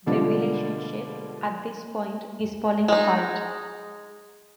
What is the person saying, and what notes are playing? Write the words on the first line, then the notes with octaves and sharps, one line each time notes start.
The relationship, at this point, is falling apart.
B2 D3 F3 G3 G#3 D4
G#3 D#4